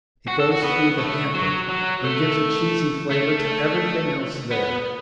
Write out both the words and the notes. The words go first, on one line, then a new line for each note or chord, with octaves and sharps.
It goes through the hamper, and gives a cheesy flavour to everything else there.
F#4
A4
F#4
B3
A3
F#3
F#3
A3
A3
B3